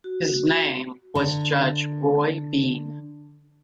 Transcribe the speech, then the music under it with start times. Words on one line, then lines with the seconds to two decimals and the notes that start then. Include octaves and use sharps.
His name was Judge Roy Bean.
0.04 F#4
1.15 D3 A#5